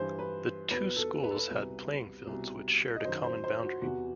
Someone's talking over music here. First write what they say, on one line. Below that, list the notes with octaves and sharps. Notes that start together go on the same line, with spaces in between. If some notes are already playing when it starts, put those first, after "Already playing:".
The two schools had playing fields which shared a common boundary.
Already playing: G2 E3 C5
B4
E2 B2 B4
A4
B4
A4
B4
C2 B2
C2 B2
D#5
F#2 D#3 C5
C5
C5
F#4
E2 C3 E3 F#4